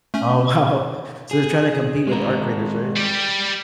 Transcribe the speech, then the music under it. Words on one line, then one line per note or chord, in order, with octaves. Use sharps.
Oh, wow. So, they're trying to compete with Arc Raiders, right?
A3 C#4
G#4
G#3 A#4
G3 G4